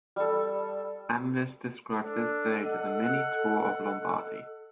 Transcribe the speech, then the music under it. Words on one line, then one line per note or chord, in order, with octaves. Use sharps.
Analysts described this stage as a 'Mini Tour of Lombardy'.
G3 A4
D4 A4
D#5 F#5